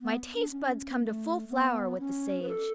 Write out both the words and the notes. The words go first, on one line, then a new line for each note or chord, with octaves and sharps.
My taste buds come to full flower with the Sage.
B3
D4
C#4
A3
B3
C#4
B4
A4